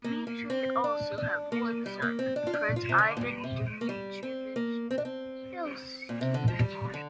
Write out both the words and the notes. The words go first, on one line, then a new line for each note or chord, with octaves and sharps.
Dmitry also had one son, Prince Ivan Dmitrievich Belsky.
A#3
A#3
C4
D4
D4
A#3
G3
A#3
C4
D4
F4
D4
F4
C3
D3
A#2
G2
C3
A#3
G3
C4
A#3
C4
D4
C4
A#2
C3
D3
F3
G3
D3